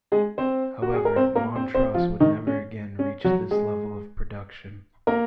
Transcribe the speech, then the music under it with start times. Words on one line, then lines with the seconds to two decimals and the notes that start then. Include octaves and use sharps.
However, Montross would never again reach this level of production.
0.12 G#3 G#4
0.38 C4 C5
0.82 F#4
0.94 G#4
1.05 A#4
1.16 C4 C5
1.35 A#3 A#4
1.55 C4 C5
1.74 C4 C5
1.94 F3 F4
2.20 D#3 D#4
2.47 C#4
2.99 C#4
3.24 F#3 F#4
3.51 G#3 G#4
5.07 A#3 A#4